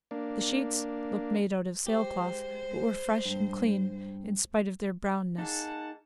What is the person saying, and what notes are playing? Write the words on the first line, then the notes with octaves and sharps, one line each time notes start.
The sheets looked made out of sail-cloth, but were fresh and clean in spite of their brownness.
A#3 D4
G#3 G4 C5
G2
A#3 D#4 G#4 F#5 A5